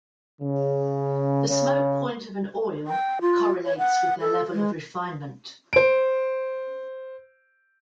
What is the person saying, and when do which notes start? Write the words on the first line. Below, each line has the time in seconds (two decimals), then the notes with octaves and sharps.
The smoke point of an oil correlates with their level of refinement.
0.41 C#3
1.48 C#3
2.87 G5
3.21 F4
3.65 C#5
3.78 F#5
4.21 A4
4.53 G#3
5.73 C5 D7